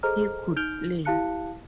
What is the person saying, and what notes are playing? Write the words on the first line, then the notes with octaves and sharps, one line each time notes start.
He could play.
G#4 A4 C5 D#5 A#5 F6
D#4 F6 G6 D7 F7 G7
E4 G4 F5 A5 F#6 C#7